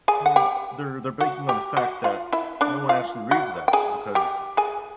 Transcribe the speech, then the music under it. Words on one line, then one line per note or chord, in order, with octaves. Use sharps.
I mean, they're they're banking on the fact that no one actually reads that because
G#4 G#5
F#5
G4 G5
F#4 F#5
G4 G5
F#4 F#5
F4 F5
E4 E5
D4 D5
F4 F5
F#4 F#5
G5
G#4 G#5
G4 G5
G#4 G#5